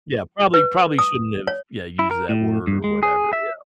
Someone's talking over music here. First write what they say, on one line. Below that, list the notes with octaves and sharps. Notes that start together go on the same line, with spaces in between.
Yeah, probably probably shouldn't have, yeah, used that word or whatever, yeah.
B4
D#6
C#5
E4
A#4
A2
G2
G#3
G#4
E5